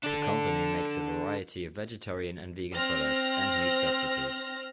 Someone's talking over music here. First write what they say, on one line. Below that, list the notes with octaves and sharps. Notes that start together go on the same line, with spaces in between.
The company makes a variety of vegetarian and vegan products and meat substitutes.
D4 A4
C4 F6 A#6